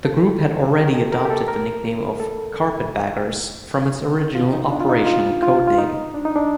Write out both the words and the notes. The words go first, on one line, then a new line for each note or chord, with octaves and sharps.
The Group had already adopted the nickname of "Carpetbaggers" from its original operational codename.
A4
A#4
G4
A4
A#4
G4
A4
A#4
A4
F4
D#4
D4
F4
D#4
F4
F4
F4
D#4
D4
D#4
D4